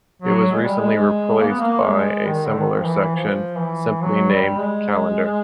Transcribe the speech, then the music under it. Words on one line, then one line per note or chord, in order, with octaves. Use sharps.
It was recently replaced by a similar section simply named "Calendar".
F#3
G#3
G3
G#3
G#3
A#3
B3
A#3
G#3
D#3
D3
D#3
F3
E3
F3
E3
F#3
G3
G#3